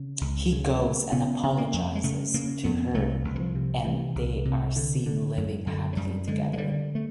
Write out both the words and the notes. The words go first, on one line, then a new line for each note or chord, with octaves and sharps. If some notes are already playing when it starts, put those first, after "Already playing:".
He goes and apologises to her and they are seen living happily together.
Already playing: C#3
C#2
C#3
C#3
C#3 B3
C#3
A#3
F2
G#3
C#3 A3
C#3 A#3
F2 B3
C2 A3
C2
E3
F3
C3
C3 E3
C2
C3
D3
D3
F#2
F#2 D3
F#3
F#2 G3
D3 G#3
G#3
D3 G3
A3